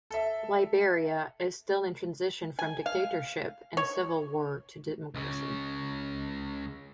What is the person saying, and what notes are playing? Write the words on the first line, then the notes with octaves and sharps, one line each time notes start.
Liberia is still in transition from dictatorship and civil war to democracy.
A4 E5
G#5
F5
C#5
C#2 C#3